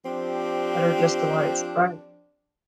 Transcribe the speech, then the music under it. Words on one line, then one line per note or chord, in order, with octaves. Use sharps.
That are just the whites. Right.
F3 C4 D4 G4